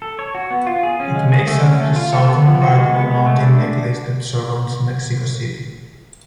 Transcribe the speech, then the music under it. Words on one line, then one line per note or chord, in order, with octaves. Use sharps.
It makes up the southern part of the mountain necklace that surrounds Mexico City.
A4
C#5
F#4
B3
F4
G#4
C#4
G#3
G#4
A3
C#4
A3
F4
A4
B3
F3
F#4
G#3
B3
G#3
A3
D4